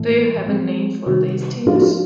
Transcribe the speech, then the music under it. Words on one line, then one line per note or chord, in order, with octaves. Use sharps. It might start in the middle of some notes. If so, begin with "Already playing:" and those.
Do you have a name for these things?
Already playing: A2 E3 A3
F3 G#3 C4
C3 D#3 G3 F#4
A2 F3 A#3 D4 F4
F#4
F4